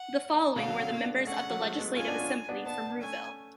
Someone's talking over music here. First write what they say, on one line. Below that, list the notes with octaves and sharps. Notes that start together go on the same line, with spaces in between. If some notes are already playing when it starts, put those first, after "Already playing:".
The following were the members of the Legislative Assembly from Rouville.
Already playing: F#5
B2 D3 F5
D3 F#3
A3 C#4
C#4 F4
B3 D4
G#3 B3
A3 C#4 F#5
F#3 A3
F3 G#3
F#3 A3
G#3 B3
C#4 F4 G#5
B3 D4
C#4 F4
B3 D4
B3 D4 A5
A3 C#4 G#5